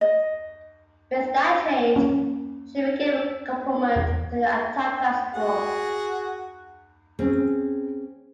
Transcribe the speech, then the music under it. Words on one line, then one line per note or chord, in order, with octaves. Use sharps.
With that change, she became a complement to the attack transport.
D#5
A#3 C#4
E2
F#4 G#4 F#5
C4 C#4 G#4